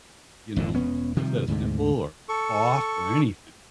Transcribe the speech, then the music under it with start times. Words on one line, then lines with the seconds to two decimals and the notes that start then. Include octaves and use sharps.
you know, like I said, a sniffle or cough or anything.
0.56 G#1 A#2 D3
0.75 E1 B3 C#4
1.17 C3 D#3 F3 G3
1.48 D2 G#2 C3
2.29 A4 C#6